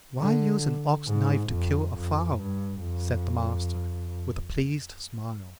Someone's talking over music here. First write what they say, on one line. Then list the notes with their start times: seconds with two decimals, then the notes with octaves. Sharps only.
Why use an ox-knife to kill a fowl? said the Master, with a pleased smile.
0.20 D3
1.07 G#2
1.50 F2
1.93 F2
2.37 G2
2.81 F2